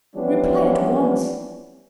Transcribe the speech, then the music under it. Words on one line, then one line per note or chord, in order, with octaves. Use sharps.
Reply at once.
E3 F3 G3 B3 C#4 D4